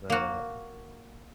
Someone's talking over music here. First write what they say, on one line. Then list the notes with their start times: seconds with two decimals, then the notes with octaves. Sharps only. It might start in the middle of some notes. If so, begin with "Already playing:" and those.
But, uh,
0.10 A#3 F#4